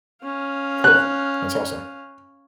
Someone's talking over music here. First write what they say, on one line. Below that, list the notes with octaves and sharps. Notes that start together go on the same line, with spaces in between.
Cool. That's awesome.
C#4 F5
F#6